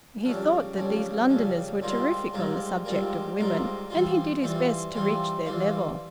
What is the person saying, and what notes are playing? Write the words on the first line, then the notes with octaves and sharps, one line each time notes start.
He thought that these Londoners were terrific on the subject of women, and he did his best to reach their level.
F2 C#3 G3
F2 C#3 G3
F2 C#3 G3
G#2 G3 C4 F4 A#4
G#2 G3 C4 F4 A#4
G#2 G3 C4 F4 A#4
G#2 G3 C4 F4 A#4
E3 G3 C4 F4
E3 G3 C4 F4
E3 G3 C4 F4
E3 G3 C4 F4